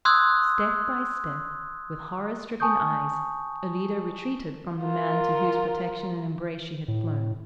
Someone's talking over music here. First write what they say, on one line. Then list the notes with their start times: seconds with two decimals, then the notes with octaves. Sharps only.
Step by step, with horror-stricken eyes, Alida retreated from the man to whose protection and embrace she had flown.
0.05 C6 D#6 E6 F#6 G#6
2.60 G#5 A5 C#6 D#6 G6
4.81 F4 A#4
6.88 A2